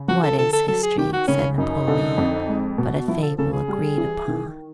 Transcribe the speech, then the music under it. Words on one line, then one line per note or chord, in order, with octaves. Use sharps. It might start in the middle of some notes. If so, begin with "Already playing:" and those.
"What is history," said Napoleon, "but a fable agreed upon?"
Already playing: C#3
F3 F#4
A4
D3 A4
A4
F#3 A4
G#4
D#3 G4
F#4
C#3 C#4
F#2 D#4
D3
F2
G#3
B2
F3 E4
A4
C#3 A4
G#4
G3
E3
D#3